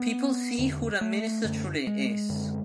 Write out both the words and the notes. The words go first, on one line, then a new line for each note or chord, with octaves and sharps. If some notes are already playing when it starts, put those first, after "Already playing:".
People see who their minister truly is.
Already playing: B3
E2 D3
A3
F#2 D3
G#3
F#2 D3